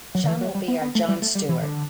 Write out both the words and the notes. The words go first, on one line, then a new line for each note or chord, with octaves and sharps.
Sean will be our Jon Stewart.
F#3
D3
E3
F#3
G3
B3
B3
A3
G3
A3
G3
E3
D3